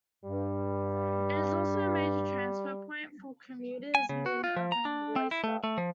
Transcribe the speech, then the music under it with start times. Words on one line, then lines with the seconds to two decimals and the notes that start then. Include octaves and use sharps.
It is also a major transfer point for commuters within urban Gloucester.
0.25 G2 G3
3.95 G#5
4.09 C#3
4.26 F#4
4.44 F4
4.56 F3
4.72 A#5
4.85 D4
5.16 C4
5.31 E4
5.44 A3
5.64 A3
5.78 F3